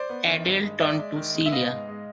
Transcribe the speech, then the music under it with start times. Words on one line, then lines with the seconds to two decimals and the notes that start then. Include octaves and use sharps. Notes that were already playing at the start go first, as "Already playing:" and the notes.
Adele turned to Celia.
Already playing: C5 D5
0.09 B3
0.27 D#3
0.45 G2
0.63 G#3
0.80 G#3 D5 E5
0.98 G#3
1.16 D#3
1.34 G#3
1.46 E5
1.52 B3 D#5 F5
1.70 G#2
1.88 G#3